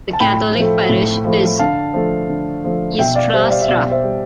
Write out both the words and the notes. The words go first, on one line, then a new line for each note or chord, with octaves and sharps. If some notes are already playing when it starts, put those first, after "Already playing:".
The Catholic Parish is Nuestra Sra.
A5
A2 G5 B5
F3
A3
A2
F3 A3
D3 F5 A5
F3 A3
D3
F3 A3
B2 E5 G5
D5 F5
G3 C5 E5
D5 F5
E5
B2 D5 F5
C5 E5
G3